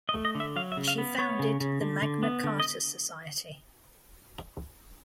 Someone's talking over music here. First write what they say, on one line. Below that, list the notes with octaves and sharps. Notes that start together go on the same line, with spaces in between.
She founded the Magna Carta Society.
D#5
A3
D#5
D3
E5
F#3 F5
E5
C#3
F5
B3
B3 C#5
C#3
C#3
D3
D3
B3
D3
D#5